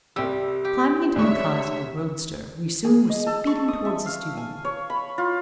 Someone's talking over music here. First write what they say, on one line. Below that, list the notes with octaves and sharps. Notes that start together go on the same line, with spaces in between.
Climbing into Mackay's little roadster, we soon were speeding toward the studio.
C2 G3 E6
G4
D2 C#5 E5 C#6
G#4
D#5
A4
C#6
D#6
E5
F5
G#5
C#5
B5
F4